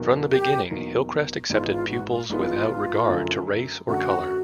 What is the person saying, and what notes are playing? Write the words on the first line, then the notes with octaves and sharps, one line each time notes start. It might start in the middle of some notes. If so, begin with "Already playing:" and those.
From the beginning, Hillcrest accepted pupils without regard to race or colour.
Already playing: E2 B2 F#3 A#3 D#4
G4
E2 B2 F#3 A#3 D#4
G#1 G#2 E3 G#3 B3 F4
F4
F#4
F4
G#1 G#2 E3 G#3 B3 F4
F#2 D3 F#3 A3 C#4
F#2 D3 F#3 A3 C#4 F#4